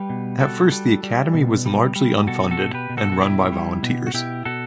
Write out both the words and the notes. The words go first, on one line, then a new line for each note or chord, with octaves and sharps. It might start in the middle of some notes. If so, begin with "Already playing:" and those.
At first the Academy was largely unfunded and run by volunteers.
Already playing: G3 G4 B4
B2
G3 F#4 A4
G3
G3
B2
G3
G3
B2 F#4 A4
F#4 A4
B2
G4 B4
B2
F#4 A4
F#4
G3 E4 G4
G3
B2
F#4
B2 E4 G4
B2 F#4 A4